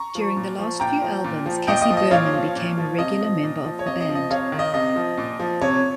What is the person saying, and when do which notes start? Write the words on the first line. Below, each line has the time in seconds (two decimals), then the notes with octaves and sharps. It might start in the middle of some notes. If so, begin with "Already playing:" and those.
During the last few albums, Cassie Berman became a regular member of the band.
Already playing: A#5 C#6
0.15 F3
0.36 A#2
0.59 F3
0.80 A#2 G5 A#5
1.02 F3
1.24 A#2
1.46 F3
1.67 A#2 D#5 G5
1.82 D#5
1.90 F3
1.97 D#5
2.11 A#2 C#5 F5
2.33 F3
2.56 A#2
2.78 F3
2.98 C3 D#5
3.21 F3
3.43 A#2
3.64 F3
3.79 C#5
3.86 C3 D#5
4.01 D#5
4.09 F3
4.15 D#5
4.30 C3 C#5 F5
4.52 D#3
4.59 D#5
4.74 C3 D#5
4.96 F3
5.18 A#2
5.40 F3
5.61 C3 C#5